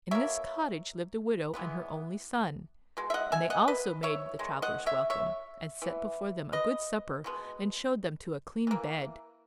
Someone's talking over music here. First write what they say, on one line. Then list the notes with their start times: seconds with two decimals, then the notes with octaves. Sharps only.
In this cottage lived a widow and her only son, and they also made the travellers welcome, and set before them a good supper and showed them to a clean bed.
0.11 B2 A#3 C#5 E5
1.54 E3 G#3 B3
2.97 B2 G#3
3.10 E5
3.14 D#5 F#5
3.32 E5 G#5
3.50 D#5 F#5
3.68 B4 D#5
4.03 C#5 E5
4.39 D#3 G#3
4.62 D#5 F#5
4.86 C#5 E5
5.10 C#5 E5
5.82 E3 B3
6.53 B4 D#5
7.24 B2 G#3 B3
8.67 E3 A#3